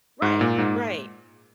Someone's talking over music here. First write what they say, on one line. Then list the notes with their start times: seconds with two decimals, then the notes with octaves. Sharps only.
Right right,
0.22 G#2
0.41 A#2
0.58 G#2